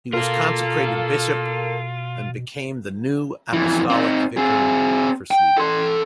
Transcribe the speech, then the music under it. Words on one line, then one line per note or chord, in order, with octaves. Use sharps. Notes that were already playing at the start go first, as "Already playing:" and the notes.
He was consecrated bishop and became the new apostolic vicar for Sweden.
B2 F4 A4 A#4 F5
F2 E3
C4 D#4
C4 G#4
G5
A4 C6